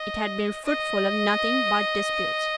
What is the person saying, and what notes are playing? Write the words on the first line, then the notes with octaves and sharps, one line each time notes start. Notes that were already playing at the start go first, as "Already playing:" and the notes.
It had been fruitful of nothing but disputes.
Already playing: D#5
D#5